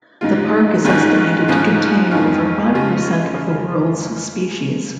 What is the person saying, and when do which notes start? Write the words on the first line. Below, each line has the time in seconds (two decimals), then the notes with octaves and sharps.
The park is estimated to contain over five percent of the world's species.
0.21 G#2 G#3 F4
0.85 G#2 D#3 C#4 F4
1.48 G#2 F3 C#4 F4
2.11 F2 D#3 G#3 C#4 F4
2.74 C#3 G#3 C#4 F4